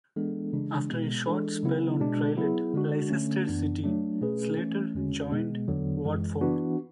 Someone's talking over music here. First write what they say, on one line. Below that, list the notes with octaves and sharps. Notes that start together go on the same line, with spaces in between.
After a short spell on trial at Leicester City, Slater joined Watford.
E3 G#3 B3 D4 A4
C#3 E3 G#3 D4
B2 G#3 B3
E3 G#3 D4 A4
C#3 F#3 B3 E4
B2 G#3 D4
F#3 B3 E4 G#4
D3 G#3 D4 F#4
D3 A3 C#4
F#2 E3 B3 D4
F#3 A3 D4
B2 A3 C#4 G#4 B4
E3 A3 C#4
E2 D3 G#3 C#4 F#4
B2 G#3 B3
E2 D3 F#3 B3
F#2 E3 G#3
E3 B3 D4 F#4